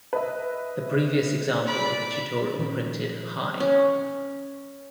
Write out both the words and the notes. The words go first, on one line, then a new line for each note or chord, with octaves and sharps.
The previous example in the tutorial printed hi!
B4 D#5 E5
D5 B5
A#2 D#3 F3 C#4
C#4